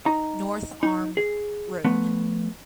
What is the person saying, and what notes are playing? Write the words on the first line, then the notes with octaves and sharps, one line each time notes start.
North Arm Rd.
D#4 A#5
D#4
G#4
F3 A3 B3